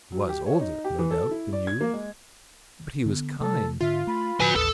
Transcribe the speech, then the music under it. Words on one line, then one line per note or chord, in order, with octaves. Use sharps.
He was older, no doubt, than you, but he was kind.
F#3
G4
C#5
D#4
G4
E3
A4
E4
D5
G#6
A#3
G#3
D3 B3
C3 A3 A4
G#2 D3 F4 E5
A3 B5
A2 D3 F3 F#4 B4 G#5
A1 D#2 A4 D#6